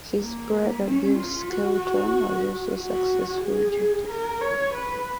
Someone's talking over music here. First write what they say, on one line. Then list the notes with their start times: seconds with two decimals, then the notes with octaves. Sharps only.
His brother Bill Skelton was also a successful jockey.
0.20 A#3
0.85 C#4
1.18 F4
1.50 F#4
2.79 F#4
3.44 G#4
4.09 A#4
4.41 C#5
4.73 B4